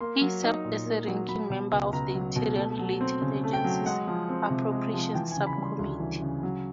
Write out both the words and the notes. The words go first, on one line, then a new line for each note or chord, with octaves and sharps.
He served as the ranking member of the Interior and Related Agencies Appropriations Subcommittee.
A#3 C6
F#3
D#4
A#2
A#3
F#3
F#3 B5
B2
C#2
C#2 A#5
F#3
B2
A3
F#3
C4
C#3
A3
G5
F#3
G#3 F#5
F3
C4
C3
G#3
F3
E3 G5
G#5
C#3
B5
G3
C6
D2 C6
E3
C#3
F#3